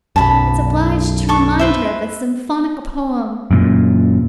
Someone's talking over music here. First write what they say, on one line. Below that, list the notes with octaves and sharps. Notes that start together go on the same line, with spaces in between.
It's obliged to remind her of a symphonic poem.
B1 F#2 A5 B5
A4 C#6 D6
B4 C5 E5
F#2 A#2